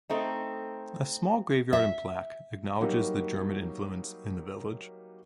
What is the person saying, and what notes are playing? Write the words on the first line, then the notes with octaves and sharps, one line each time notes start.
A small graveyard and plaque acknowledges the German influence in the village.
A3 C4 D#4
E5
F#3 G3 A#3 D#4 F#4